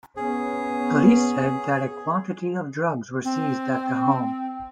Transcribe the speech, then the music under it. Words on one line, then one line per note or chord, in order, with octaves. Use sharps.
Police said that a quantity of drugs were seized at the home.
B3 C#4 G#4
C4